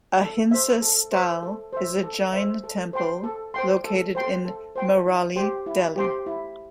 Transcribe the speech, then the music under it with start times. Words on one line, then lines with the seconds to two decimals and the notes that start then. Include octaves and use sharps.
Ahinsa Sthal is a Jain temple located in Mehrauli, Delhi.
0.21 A4
0.51 C5 E5
0.82 A4
1.12 C5 E5
1.43 A4
1.73 C5 E5
2.03 A4
2.33 C5 E5
2.64 A4
2.93 C5 G5 C6
3.24 A4
3.54 C5 G5 C6
3.84 A4
4.15 C5 G5 C6
4.45 A4
4.76 C5 G5 C6
5.06 E4
5.36 G4 C5 G5 C6
5.66 E4
5.96 G4 C5 G5 C6
6.26 E4